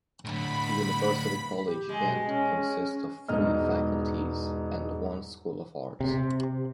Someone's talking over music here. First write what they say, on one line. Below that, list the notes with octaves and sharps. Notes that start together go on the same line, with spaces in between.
University College Ghent consists of three faculties and one School of Arts.
A2 D3 B5
G4
G#3
B2
C#4
E1 G#2 D#5 F6
C3